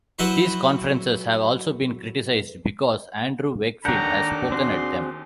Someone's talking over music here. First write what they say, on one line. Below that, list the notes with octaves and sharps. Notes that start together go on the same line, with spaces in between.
These conferences have also been criticized because Andrew Wakefield has spoken at them.
F#3 E4 F#4 B4 C5
D#2 D4 A4 A#4 F#5 A#5 G6
C4 F#4 G#4 C6